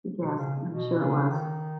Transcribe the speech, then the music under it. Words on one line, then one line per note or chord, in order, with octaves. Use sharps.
Yes, I'm sure it was.
B2
C#3
B2
C#3
D#3